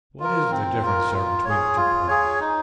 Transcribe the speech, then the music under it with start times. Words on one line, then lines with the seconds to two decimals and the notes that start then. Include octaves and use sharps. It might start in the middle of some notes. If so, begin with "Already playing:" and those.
"What is the difference, sir, between the two parties?"
0.20 F4 A#4
0.51 C4
0.82 F4 A#4
1.14 F4
1.45 G#4 C#5
1.77 F4
2.08 G#4 C#5
2.40 D#4